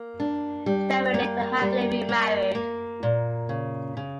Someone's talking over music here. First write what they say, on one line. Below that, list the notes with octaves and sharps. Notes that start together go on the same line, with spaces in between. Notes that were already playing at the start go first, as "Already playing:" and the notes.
Steinway later happily remarried.
Already playing: A#3
D4
G3
A#3
G3
A#3
A#3
A#2
C#3
C#3